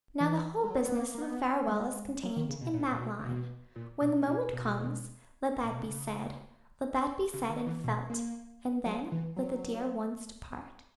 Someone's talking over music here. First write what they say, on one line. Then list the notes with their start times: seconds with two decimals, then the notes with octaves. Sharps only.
Now the whole business of a farewell is contained in that line. When the moment comes, let that be said; let that be said and felt, and then let the dear ones depart.
0.20 E3
0.64 G#3
0.70 F#3
0.85 B3
0.96 A#3
1.15 A#3
1.22 B3
1.67 A#3
1.72 G#3
2.23 F#3
2.36 D#3
2.49 C#3
2.61 B2
2.74 A#2
2.91 A#2
3.00 B2
3.19 C#3
3.25 B2
3.76 A#2
4.01 B2
4.27 B2
4.53 B2
5.63 A#2
5.71 B2
5.80 C#3
7.33 C#3
7.49 D#3
7.66 E3
7.84 B2
8.10 A#3
8.86 F#3
9.12 E3
9.36 F#3